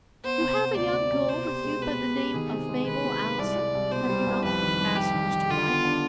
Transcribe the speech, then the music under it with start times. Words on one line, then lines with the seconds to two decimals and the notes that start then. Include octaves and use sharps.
"You have a young girl with you by the name of Mabel Allison, have you not?" asked Mr. Bright.
0.24 B3 C5
0.41 C3
0.59 B3
0.76 D2 D5
0.94 D2
1.12 C3
1.29 B2 C5
1.47 G4
1.64 G#3
1.82 B2 B4
1.99 B2
2.16 G4
2.34 D#3 G#4
2.52 C3
2.69 G#3
2.86 D#3 B4
3.04 C3
3.21 G#3
3.38 C2 D5
3.56 C2
3.75 C2
3.91 B2 C5
4.09 G3
4.27 C2
4.44 F2 B4
4.62 D#3
4.80 G3
4.97 G3 G4
5.14 D#3
5.31 D#3
5.49 D3 F4
5.67 B3
5.85 D4